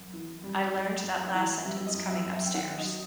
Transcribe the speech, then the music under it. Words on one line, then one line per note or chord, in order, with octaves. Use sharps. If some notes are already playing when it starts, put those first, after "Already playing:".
I learned that last sentence coming upstairs.
Already playing: F#2
E3
G3
F#2
F#2
E3
G3 E5
D#5
F#2
E5
F#2
E5
G5
D#3 F#5
D#5
F#3